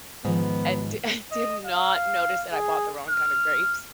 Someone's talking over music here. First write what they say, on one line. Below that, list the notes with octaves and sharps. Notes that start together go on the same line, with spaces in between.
and di and did not notice that I bought the wrong kind of grapes.
G#2 D#3 F3 B3
D#5
F5
G#4
F6